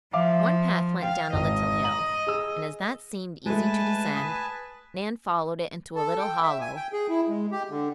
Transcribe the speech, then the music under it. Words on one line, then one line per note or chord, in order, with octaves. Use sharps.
One path went down a little hill, and as that seemed easy to descend, Nan followed it into a little hollow.
F3 E5 F5 D6
F5 G5
G#1 D#5
A#5 F#7
G#4 E6
G#3 A3 B4 G#5 A5
D#6 B6
A4
G5
E5
G#5
G5
G#4
E4
G#3
G4
D3